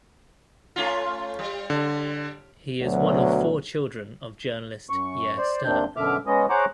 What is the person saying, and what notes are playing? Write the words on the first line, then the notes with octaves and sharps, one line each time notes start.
He is one of four children of journalist Yair Stern.
A3 C#4 F4
G3
D3
D2 B2 F#3
F#2 C#6
C5 D5
D#2 C3 D#3 C4 D4 G6
F#2 B2 D3 E5 D6 F6
G#3 B3 C#4 D#5
G#4 C5 C#5 F#5 A#5 D6